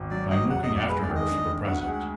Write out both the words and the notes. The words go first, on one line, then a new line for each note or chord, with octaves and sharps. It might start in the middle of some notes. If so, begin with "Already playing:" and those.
I am looking after her for the present.
Already playing: G#1
F#3 D5
F#3 D#5
F1 F#5
D#5
F1
D5
G#3 B4
D5
D#3
D#5
D4
D4
D2 F#5
F#5
G#3
F#5